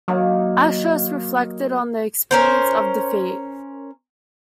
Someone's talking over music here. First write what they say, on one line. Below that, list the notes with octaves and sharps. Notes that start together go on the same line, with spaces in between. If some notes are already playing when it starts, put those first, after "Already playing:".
Ashurst reflected on the experience of defeat.
D#3 F#3 A#3 D#4
C#4 A#4 C5